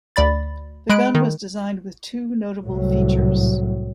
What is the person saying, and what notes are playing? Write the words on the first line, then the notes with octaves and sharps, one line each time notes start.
The gun was designed with two notable features.
D2 D5 B5 A6
G#3 B5 F#6 D7
D#3
C2 A2 F#3